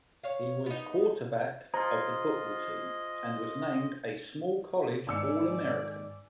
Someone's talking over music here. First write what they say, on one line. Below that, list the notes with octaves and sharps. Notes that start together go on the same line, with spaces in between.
He was quarterback of the football team, and was named a small college All-American.
C#5 F5
B3 D#4
F4 G#4 C5 D#5 A#5
G#2 D#3 D5 G#5 E6 C#7